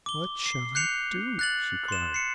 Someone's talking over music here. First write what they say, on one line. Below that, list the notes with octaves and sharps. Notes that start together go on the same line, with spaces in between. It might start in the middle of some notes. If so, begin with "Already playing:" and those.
"What shall I do?" she cried.
D6 G7
C7
F#6 G6 C7 C#7 F7
F#6 A6 F#7
C6 E7
C7 C#7